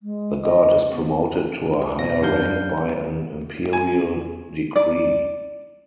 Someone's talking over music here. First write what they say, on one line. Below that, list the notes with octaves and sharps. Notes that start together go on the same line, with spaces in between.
The god is promoted to a higher rank by an imperial decree.
G#3
D#5
B3
E4
B2 A#6
F#2 D4 F5 G6
G#5
D5